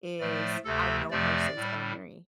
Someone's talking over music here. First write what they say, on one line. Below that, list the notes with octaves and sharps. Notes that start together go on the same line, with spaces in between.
is I've known her since elementary,
A2 F3 A3 D5
D2 C3 A3 A4
F2 C3 F3 A3 D5
A2 G3